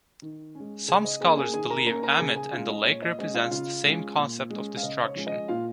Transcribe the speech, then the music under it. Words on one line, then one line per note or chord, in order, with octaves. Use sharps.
Some scholars believe Ammit and the lake represent the same concept of destruction.
D#3
G#3 C#4
C#3 G#4 G#5
D#5
A#3 C#4 G#4 G#5
G#4 G#5
D#3 G#4 G#5
A#4 A#5
A#3 C#4 A#4 A#5
A#4 A#5
C#3 G#4 G#5
G#4 G#5
G#3 C#4 F4 F5
D#5
A#2 C#5
D#5
G#3 C#4 D#5
F4 F5
C#3 F4 F5
G#3 C#4
A#2
G#3 C#4
F5
C#3 D#5
C#5
F3 G#3 C#4
D#5
A#2 F4 F5